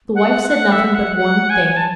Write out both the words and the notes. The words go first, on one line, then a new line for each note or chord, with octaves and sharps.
The wife said nothing but one thing.
F#5
F#5
E5
F#5
F#5
G#5
A5